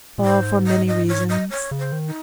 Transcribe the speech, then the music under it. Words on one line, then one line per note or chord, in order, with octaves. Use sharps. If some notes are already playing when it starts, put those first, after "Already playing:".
"For many reasons."
A#2
G#2 C5
D#5
D#5
C#5
D#5
C#5
C#3
C5
D#3
D#4